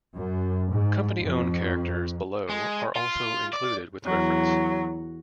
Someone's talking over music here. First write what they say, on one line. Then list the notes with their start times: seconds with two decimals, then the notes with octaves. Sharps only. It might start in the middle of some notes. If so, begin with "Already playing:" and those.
Company owned characters below are also included with reference.
0.15 F#2
0.71 G#2
1.20 F2
2.50 G#3
2.96 F4
3.53 D5
4.05 E2 F#3